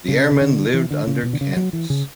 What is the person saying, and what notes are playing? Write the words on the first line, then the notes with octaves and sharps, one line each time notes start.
The airmen lived under canvas.
C#3
C#3
D3
E3
D3
C#3
B2
D3
C#3
F#3
E3
C#3